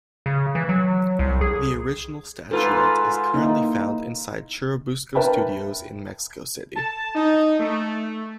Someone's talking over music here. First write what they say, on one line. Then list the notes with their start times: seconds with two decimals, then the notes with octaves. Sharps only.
The original statuette is currently found inside Churubusco Studios in Mexico City.
0.26 C#3
0.55 E3
0.69 F#3
1.19 C2
1.41 G#4
2.51 G#2 F4 A4 B4
3.34 A#3 D#4 E4
5.15 A#4 B4 E5 G5 A5 B5
6.76 A5
7.15 D#4
7.59 A3